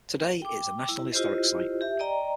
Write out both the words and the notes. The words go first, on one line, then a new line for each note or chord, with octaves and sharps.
Today it is a national historic site.
G5 D6
E4
E4 F4 G4 C5 D#5
G4 E5
D5 D#5 G5 A#5